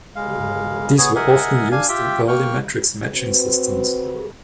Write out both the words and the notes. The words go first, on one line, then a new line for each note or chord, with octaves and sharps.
These were often used in early matrix-matching systems.
G#3 F5
B3 G#4 C#5
A#4 D#5 E5 F#5 G#5
D4 F5 G#5
F4 G4 E5 G5
A#3 G5 C#6 F6
C4 F#4 B4